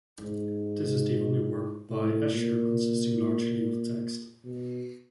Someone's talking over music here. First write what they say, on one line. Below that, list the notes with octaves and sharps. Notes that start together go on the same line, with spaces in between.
This is the only work by Escher consisting largely of text.
G#2
A2
A#2
B2